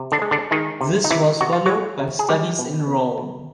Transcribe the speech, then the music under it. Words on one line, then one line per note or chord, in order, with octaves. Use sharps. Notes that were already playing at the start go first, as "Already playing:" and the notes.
This was followed by studies in Rome.
Already playing: C3
D3 D4
G#3
D3 D4
D#3 G#3 D#4
C3
D#4
C3 E3 E4
C3 F#4
F4
F#3 G#3 F#4
C3
G#4
G3 G#3 G4
B2
B2
B2